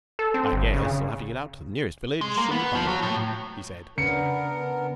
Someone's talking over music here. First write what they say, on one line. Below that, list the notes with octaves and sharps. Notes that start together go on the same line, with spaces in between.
"I guess I'll have to get out to the nearest village in the bubble," he said.
A4
C4
G1
C#3
G#3
A#3
B3
F3
F#3
A2
C#3 B3 D4 A#4 C#7